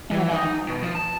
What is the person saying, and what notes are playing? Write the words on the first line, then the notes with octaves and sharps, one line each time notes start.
And, uh,
E3
D#4
B2
F3
A5